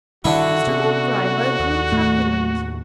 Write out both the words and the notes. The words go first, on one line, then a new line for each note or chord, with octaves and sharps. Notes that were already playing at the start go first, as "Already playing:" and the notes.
Mr. Hoopdriver grew truculent.
G2 D3 D#3 G3 E4 F#4
C3 B3 C#4
D#2
D#2 A2 A3